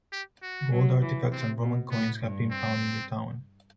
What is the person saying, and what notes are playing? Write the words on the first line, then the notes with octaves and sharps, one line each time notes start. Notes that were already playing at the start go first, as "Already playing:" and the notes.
Gold artifacts and Roman coins have been found in the town.
G4
F#4
F#3
E3
C3 C4
B2
A2 B3
G2
C4